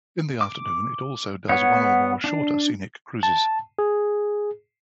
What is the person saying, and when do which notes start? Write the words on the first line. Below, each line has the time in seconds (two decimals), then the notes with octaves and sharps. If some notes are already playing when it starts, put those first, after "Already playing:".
In the afternoon it also does one or more shorter scenic cruises.
0.41 D6
1.49 B3 C#5 F#5
2.24 D4
3.23 A5
3.79 G#4